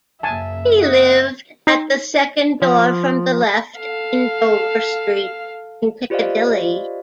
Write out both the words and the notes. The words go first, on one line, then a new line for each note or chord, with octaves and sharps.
He lived at "the second door from the left in Dover Street" in Piccadilly.
F#2 C#3 A#3 E5 G#5 A5
D#5 F#5
D#4
F3
A4 F5
F4 G4 C5 D5 D#5 F5